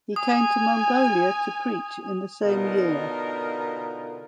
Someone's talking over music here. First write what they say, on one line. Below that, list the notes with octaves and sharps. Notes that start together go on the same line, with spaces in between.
He came to Mongolia to preach in the same year.
G#5 D#6
B2 D3 D#4 F4 A#4